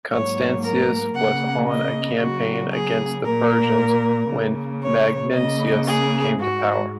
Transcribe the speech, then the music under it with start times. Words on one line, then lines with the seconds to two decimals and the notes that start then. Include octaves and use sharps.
Constantius was on a campaign against the Persians when Magnentius came to power.
0.11 G#2 F#3 A#3 C#5
0.63 A#4
1.15 C#3 A#3 F#5
1.68 D#5
2.20 C#3 F#3 A#3 F#4
2.72 G#4
3.24 A#2 A#3 A#4
4.29 C#3 A#3
4.82 C#5
5.34 C#3 A#3 D#5
5.86 G#4
6.38 G#2 G#3 F#4